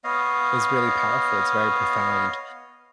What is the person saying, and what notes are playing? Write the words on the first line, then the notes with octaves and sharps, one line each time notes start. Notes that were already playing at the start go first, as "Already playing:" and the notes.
is really powerful, it's very profound,
B3 C#5 D#5 F5